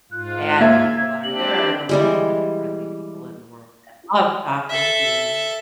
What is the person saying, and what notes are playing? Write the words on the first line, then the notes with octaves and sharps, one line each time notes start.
bad people are, there are a lot of good friendly people in the world that love talking to you.
G#2 F4 F#6
A#3 E5 G#6
C4 D4 G4 F#7
E3 G3 G#3
A4 E5